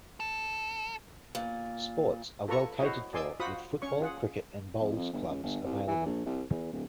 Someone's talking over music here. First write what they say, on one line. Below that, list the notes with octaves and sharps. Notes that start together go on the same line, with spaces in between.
Sports are well catered for with football, cricket and bowls clubs available.
A4
A#2
F4 A4 B4 A#5 C#6
E4 F#4 C5 C#5 D#5
D5 D#5 G#5 C6 D6 E6
F4 F#4 C5 F#5 B5 D#6
C#4 C#5 C#6
F4 G#4 F#5
F2
F2
G1
C#2
G1
C2
E3
A#1
C2
E2
D1